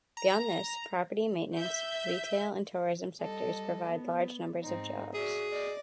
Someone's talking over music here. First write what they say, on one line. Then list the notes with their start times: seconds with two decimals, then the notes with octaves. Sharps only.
Beyond this, property maintenance, retail and tourism sectors provide large numbers of jobs.
0.17 A#5
1.56 E5 G6
3.20 G3 A4 D#5
3.90 B3
4.63 G#2 C4 D#4
5.14 F#4 G#4 D5 E5
5.51 D5 D#5